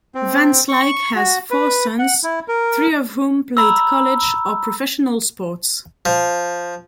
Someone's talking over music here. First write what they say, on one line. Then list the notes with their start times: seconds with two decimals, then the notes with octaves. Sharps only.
Van Slyke has four sons, three of whom played college or professional sports.
0.15 C4
0.69 C#6
1.15 F#4
1.51 B4
1.99 F#5
2.24 E4
2.48 A#4
3.57 A#5 B5 E6
6.05 F3